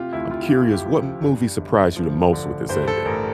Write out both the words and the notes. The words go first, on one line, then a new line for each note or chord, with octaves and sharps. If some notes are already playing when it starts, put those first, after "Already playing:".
I'm curious, what movie surprised you the most with it's ending?
Already playing: C3 F4 G4
D2 E4
F4
F4
D2 G4
G4
F3
G2
G1
F3
D3
G2 C5
A4
A1 A#4